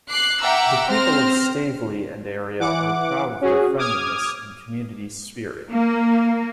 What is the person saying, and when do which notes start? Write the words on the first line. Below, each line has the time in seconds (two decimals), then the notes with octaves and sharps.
The people of Stavely and area are proud of their friendliness and community spirit.
0.10 D6 F#6 C7
0.42 E5 F#5 G5 A#5 D6 E6
0.88 C4 C5 F6 A#6
2.60 E3 F#5 D6
3.41 C#4 F#4 G#4
3.77 D6 D#6 F6 G#6
5.70 A#3